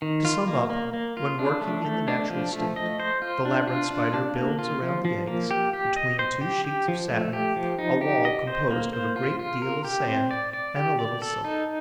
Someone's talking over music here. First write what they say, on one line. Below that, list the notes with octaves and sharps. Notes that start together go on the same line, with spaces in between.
To sum up, when working in the natural state, the Labyrinth Spider builds around the eggs, between two sheets of satin, a wall composed of a great deal of sand and a little silk.
D#3
F4
A#3
A#3
A#3
F4
D4
A3
A3
D4
F3
A3
D#5
C5
F4
D4
F4
D4
D4
A#3
F4
F3
F3
A#3
G4
G4
D#5
C5
G4
G4
F3
A3
G4
F3
D#4
G4
D#5
C5
A#3
C5
F4
F4
A#4
G4
C4
D5
D5
G4
D5
A4
D#4